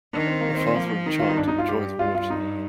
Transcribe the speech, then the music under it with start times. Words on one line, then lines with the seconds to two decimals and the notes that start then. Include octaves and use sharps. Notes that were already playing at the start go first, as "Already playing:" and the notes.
A father and child enjoy the water.
0.13 D#3 D4
0.27 C4
0.41 A#3
0.55 C4
0.75 F3 A#3
1.06 D#3 D#4
1.19 F4
1.29 D#4
1.37 G2 D4
1.48 D#4
1.58 F4
1.69 G4
1.99 G2 F4
2.15 F4
2.30 D#4